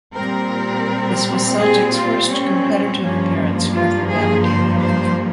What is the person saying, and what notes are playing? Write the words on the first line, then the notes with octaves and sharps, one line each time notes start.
This was Celtic's first competitive appearance north of Aberdeen.
A#2 G3 C4 A#4
G#4
F4
C#4
G2 F3 A#3 C#4
F4
G#4
C5
C5